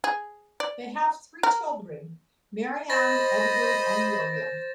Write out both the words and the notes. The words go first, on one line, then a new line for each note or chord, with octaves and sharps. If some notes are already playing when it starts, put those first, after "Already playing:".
They have three children: Marianne, Edward and William.
G#4
D5
A#4
C5 D#5 B5 A6 A#6